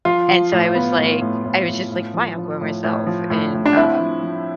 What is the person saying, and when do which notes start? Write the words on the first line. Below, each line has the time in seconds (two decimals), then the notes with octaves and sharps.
and so I was, like I was just, like, "Fine. I'll go by myself," and, um,
0.05 F3 F4
0.28 F3
0.52 A2
0.75 B3
0.98 A2
1.21 A2
1.45 A2
1.68 A2
1.91 A2
2.14 F3
2.37 F3
2.61 A2
2.84 A2
3.07 F3
3.30 A2
3.54 A2
3.66 D4
3.77 C4 E4
4.00 F3
4.23 F3